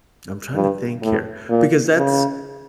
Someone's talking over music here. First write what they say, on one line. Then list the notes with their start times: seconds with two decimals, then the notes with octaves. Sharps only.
I'm trying to think here, because that's
0.54 G2
1.02 A2
1.49 A#2
1.96 C#3